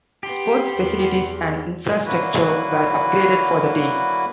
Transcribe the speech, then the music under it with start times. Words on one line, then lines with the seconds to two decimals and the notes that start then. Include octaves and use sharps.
Sports facilities and infrastructure were upgraded for the team.
0.23 B3 G4 C6
0.77 E2
2.05 D3 F#3 A#3 E4 F#4 B4